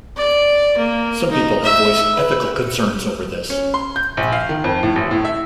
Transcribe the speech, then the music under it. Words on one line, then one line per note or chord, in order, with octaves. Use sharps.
Some people have voiced ethical concerns over this.
D5
A#3
D#4
E5
B4
C#4
C6
G6
A#1
F5
D#3
F2
A2
A1
A2
E5